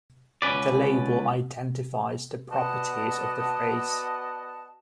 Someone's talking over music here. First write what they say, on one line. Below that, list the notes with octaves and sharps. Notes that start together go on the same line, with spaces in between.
The label identifies the properties of the phrase.
C#2 B2 C#4 B4 D5
B3 F#4 D5 D#5 F#5 A5